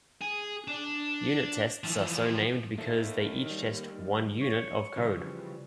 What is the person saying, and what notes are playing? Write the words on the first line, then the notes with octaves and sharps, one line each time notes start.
Unit tests are so named because they each test "one unit" of code.
G#4
D4
E3 F3
A3 A#3 D#4
D#3 G3
C#5
C#3 E3 F3 G3